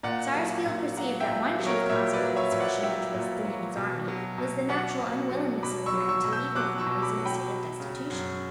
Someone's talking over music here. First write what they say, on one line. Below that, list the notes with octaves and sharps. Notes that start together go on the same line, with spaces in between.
Sarsfield perceived that one chief cause of the desertion which was thinning his army was the natural unwillingness of the men to leave their families in a state of destitution.
A#2 D5 F#5
F#3
A#2
F#3 F#5 A#5
E5 G5
A#2
F#3
A#4 C#5
A#2 C#5 E5
B4 D5
F#3
C#5 E5
A#2
D5 F#5
F#3 E5 G5
A#2
F#3
B2
F#3
B2
F#3 D5 F#5
B2
F#3
B2 B5 D6
C#6 E6
F#3
C#6 E6
B2
E6 G6
F#3 D6 F#6
C#6 E6
B2
B5 D6
F#3
G5 B5
F#3
C#3
F#2